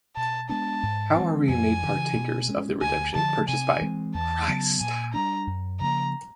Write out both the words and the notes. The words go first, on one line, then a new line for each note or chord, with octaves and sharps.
How are we made partakers of the redemption purchased by Christ?
B2 A5
G#3 B3 D4 A5
G#2
E3 G#3 C4
F2 G#5
C#3 E3
B2
G#3 C#4
D2 G#5
D3 F3 A5
C3 G#5
E3 G#3 C4
E2 A5
C#3 F#3 B3
A#2 G#5
G3 A#3 D4 A#5
F#2
C#3 F3 A#3 A#5